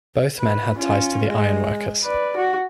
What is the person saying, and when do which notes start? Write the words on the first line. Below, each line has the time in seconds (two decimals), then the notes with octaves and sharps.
Both men had ties to the Ironworkers.
0.39 B4
0.77 C#4 F4
1.28 G#3
2.04 B4 D5
2.37 F#4